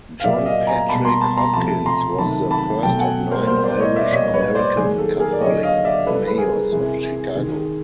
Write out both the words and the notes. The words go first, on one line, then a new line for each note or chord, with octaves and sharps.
John Patrick Hopkins was the first of nine Irish American Catholic mayors of Chicago.
F5
A#2 F#3 A#3 D5 E5
D#5 F5
G#5 A#5
B2 G3 A#3 A5 B5
A#5 C6
A5 B5
A#5 C6
C3 F3 A3 A5 B5
A#5 C6
C3 D#3 F#3 A3 A5 B5
A5 B5
B2 F#3 A3 G5 A5
F#5 G#5
A#4 C5
B2 G3 A#3 A#4 C5
C5 D5
C#5 D#5
D5 E5
A#2 G3 A#3 C#5 D#5
B4 C#5
C5 D5
D#3 F#3 A#3 G#4
A4
G#4 A#4
D5
D3 F#3 A#3 C#5 D#5
D#5 F5
D5 E5
C#3 E3 G3 A4 B4
B4
G#4 A#4
C3 E3 G#3
D#3 G#3